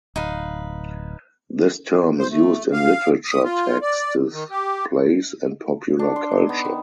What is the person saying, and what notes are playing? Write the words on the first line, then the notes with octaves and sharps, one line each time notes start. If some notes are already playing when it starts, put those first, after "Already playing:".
This term is used in literature texts, plays and popular culture.
D1 D#4 B4 F5
C5
A3
F5
D#6
F4
D5
D#3
G4
D4
C6
D#4
B3
D#3